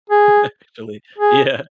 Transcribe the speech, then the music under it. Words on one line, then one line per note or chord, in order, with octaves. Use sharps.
actually." Yeah.
G#4
G#4